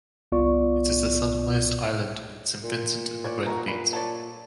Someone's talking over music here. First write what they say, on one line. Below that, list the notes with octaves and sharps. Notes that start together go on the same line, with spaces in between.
It is the southernmost island in Saint Vincent and the Grenadines.
G1 C2 B3 F4 D5 C#6
A#2
C#5 D5
F#4 A4 A#4
A#2 B4
A4 C#5 D5